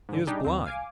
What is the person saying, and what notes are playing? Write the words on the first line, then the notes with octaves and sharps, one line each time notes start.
"He is blind."
G#2 D3
G3 D4 D#4 G4 G#4
D#2 C4
F5 G#5 D6